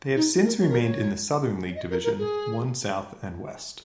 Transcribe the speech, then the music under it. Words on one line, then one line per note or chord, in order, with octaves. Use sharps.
They have since remained in the Southern League Division One South and West.
D#4
G#4
A#4
C#5
A#4
C#5
C#5
D#5
A#4
A#4
G#4